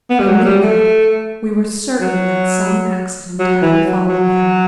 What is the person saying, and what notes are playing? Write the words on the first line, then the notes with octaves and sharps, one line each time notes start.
By midnight we were certain that some accident had befallen him.
B3
G3
F#3
G3
A3
F#3
F#3
E3
F#3
F#3